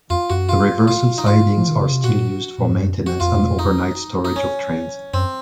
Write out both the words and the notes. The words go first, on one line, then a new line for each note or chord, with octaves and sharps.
The reversal sidings are still used for maintenance and overnight storage of trains.
F2 F4
F#2 F#4
F4
F4
D#4
G#2 F4
F3
D#3
C#3
C3
A#2 F#4
A#2
G#2
F#2
F#4
F2 F4
D#4
D#4
C#4
F#2 C4